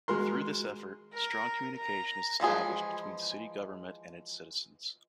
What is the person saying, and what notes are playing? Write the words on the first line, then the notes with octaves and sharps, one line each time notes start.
Through this effort, strong communication is established between city government and its citizens.
G#3 F#4 A#4 C6
A#4
A#5
E3 F3 G#3 G#4